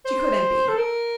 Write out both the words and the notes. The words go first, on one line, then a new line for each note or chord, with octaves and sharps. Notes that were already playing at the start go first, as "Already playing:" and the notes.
She couldn't be.
C5
A4
A#4